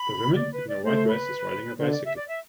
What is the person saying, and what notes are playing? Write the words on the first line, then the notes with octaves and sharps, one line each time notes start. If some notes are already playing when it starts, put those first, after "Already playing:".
A woman in a white dress is riding a bicycle.
Already playing: B5
D5
B4
D5
A3 C5
B4
D3 C5
D5
E5
D5
E5